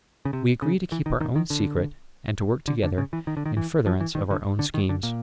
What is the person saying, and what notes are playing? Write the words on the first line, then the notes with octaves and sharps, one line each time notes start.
We agree to keep our own secret, and to work together in furtherance of our own schemes.'
C#3
C3
C#3
E3
D#3
D#3
D#3
D3
D3
D3
C#3
E3
D#3
D3
D#3
E3
F3
E3
D#3
D3
D3
D#3
D3
A#2